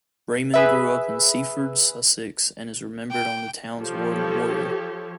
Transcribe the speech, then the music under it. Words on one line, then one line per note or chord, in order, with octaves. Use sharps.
Raymond grew up in Seaford, Sussex, and is remembered on the town's war memorial.
G#4 B4 E5
G5
F3 G4 A4 C#5